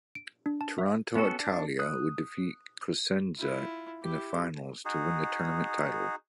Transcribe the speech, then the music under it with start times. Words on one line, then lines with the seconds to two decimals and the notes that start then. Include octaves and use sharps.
Toronto Italia would defeat Cosenza in the finals to win the tournament title.
0.15 D7
0.46 D4
0.61 A5
0.78 E5
1.15 B3 C#4 F#4 A4
1.40 D4
1.79 D#6 F#6
3.38 E4 F4
4.03 E4 G4
4.85 D#4 F#4 G#4